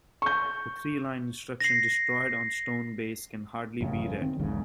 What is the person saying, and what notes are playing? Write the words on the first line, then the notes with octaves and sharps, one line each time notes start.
The three-line instruction destroyed on stone base can hardly be read.
C#6 G6
A#6 C7
A1 F#2 C#3
D#3 C4
B1 E2 G#2 C#3